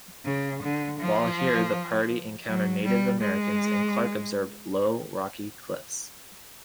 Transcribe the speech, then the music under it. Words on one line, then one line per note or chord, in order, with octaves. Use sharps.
While here the party encountered Native Americans and Clark observed "low rockey clifts".
C#3
D3
F3
F#3
G3
G#3